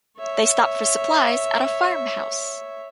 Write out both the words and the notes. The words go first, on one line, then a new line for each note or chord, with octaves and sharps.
They stop for supplies at a farm house.
C#5 E5